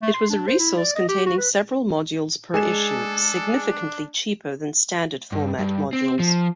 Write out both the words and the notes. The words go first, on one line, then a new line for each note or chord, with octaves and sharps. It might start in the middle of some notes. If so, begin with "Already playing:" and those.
It was a resource containing several modules per issue, significantly cheaper than standard-format modules.
A3
C6
D4
C5
E4
D5
D#5
G4
F#4
B4
G#3 D4 G#4 A4 G#5 E7
G2
G2
C4
F3